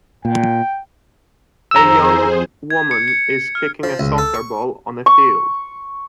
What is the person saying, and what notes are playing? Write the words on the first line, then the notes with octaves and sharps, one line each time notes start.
A young woman is kicking a soccer ball on a field.
A#2 G5
F2 G#4 C5 A#5 E6
G#6
C#7
C#7
F6
F3
C#2
A4
C#6
C#6